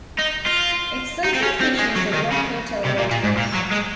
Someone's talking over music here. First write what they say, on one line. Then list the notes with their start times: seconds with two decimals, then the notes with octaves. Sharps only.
Its central feature is the Rock Hotel roadhouse.
0.19 D#4
0.46 F4
1.25 D#4
1.35 C4
1.43 C#4
1.60 C4
1.78 G#3
1.96 F#3
2.13 D#3
2.31 C#3
2.84 C3
2.98 A#2
3.11 A#2
3.23 G#2
3.37 A#2
3.54 F#3
3.72 G#3